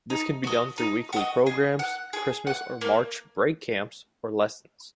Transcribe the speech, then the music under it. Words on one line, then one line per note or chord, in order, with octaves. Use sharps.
This can be done through weekly programs, Christmas or March Break camps, or lessons.
D#4
F#4 D#5
D#4
F#4 D#5
G#4
F#5
G#4
F#5
A#3